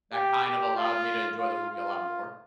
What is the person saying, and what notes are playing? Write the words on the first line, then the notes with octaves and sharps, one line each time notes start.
that kind of allowed me to enjoy the movie a lot more.
G4
G4
F4
F4
F4